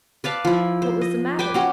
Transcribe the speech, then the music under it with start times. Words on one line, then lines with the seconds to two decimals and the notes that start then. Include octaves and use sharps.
What was the matter?
0.24 B4 D5 F5 A5
0.45 F3 E4
0.82 C5
1.01 D#5
1.39 B4 G5 G#5 D6
1.54 C#4 F#4 G4